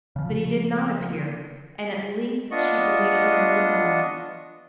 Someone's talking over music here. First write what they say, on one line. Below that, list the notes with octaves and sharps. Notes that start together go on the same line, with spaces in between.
But he did not appear, and at length she believed him really gone.
C#3 F3
B3 D4 F4 D#5 C#6